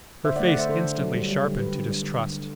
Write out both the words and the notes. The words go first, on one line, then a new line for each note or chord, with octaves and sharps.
Her face instantly sharpened to distrust.
D3 C5 E5
D5 F#5
A3
D5 F#5
D3 C5 E5
D3 A4 C5
D3
F#3
G3
G3
D3
D3 G4 B4
D3
G3
D3
D3
D3